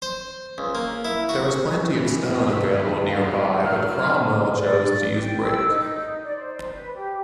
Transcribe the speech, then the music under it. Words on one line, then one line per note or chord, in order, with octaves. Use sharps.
There was plenty of stone available nearby, but Cromwell chose to use brick.
C5
C#2
A#3
E4
F#4
E3 G#3
G#2
D#2 E5
G#3 B3 F5
F#3 F6
D5
G5
E6
D#4
D5
C5
B4
G4